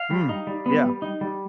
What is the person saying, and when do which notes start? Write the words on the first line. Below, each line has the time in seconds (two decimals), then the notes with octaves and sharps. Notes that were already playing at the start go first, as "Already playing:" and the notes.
Mm. Yeah.
Already playing: F5
0.11 G3
0.29 D#4
0.47 G3
0.66 B3
0.84 G3
1.02 D#4
1.21 G3